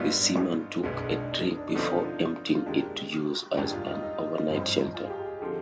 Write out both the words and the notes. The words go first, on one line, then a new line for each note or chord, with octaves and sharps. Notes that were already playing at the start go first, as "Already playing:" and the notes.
The seaman took a drink before emptying it to use as an overnight shelter.
Already playing: G#1 G#2 G3 B3 D4 F4
D#4
B1 B2 G#3 B3 D4
D#4
D4
D#4
D4
D#4
D4
D3 F3 B3 C4 D#4
D4
F4
F4
D#3 G#3 D4 G4
G#2 D#3 G3 D4 G4 G#4
F4
D#4
D#4
G#1 G2 F3 C4
F4
G#4
G4
G#4
D3 F3 C4 G4